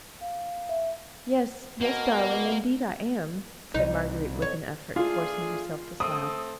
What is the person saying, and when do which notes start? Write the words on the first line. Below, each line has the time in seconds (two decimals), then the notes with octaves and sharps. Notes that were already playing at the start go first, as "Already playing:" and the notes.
"Yes, yes, darling--indeed I am," said Marguerite with an effort, forcing herself to smile.
0.21 F5
0.69 E5
1.81 B2 A#3
3.74 C2 D#4
4.42 C#5
4.96 A3 D4 F4 G#4
6.00 A3 C4 A4 D#6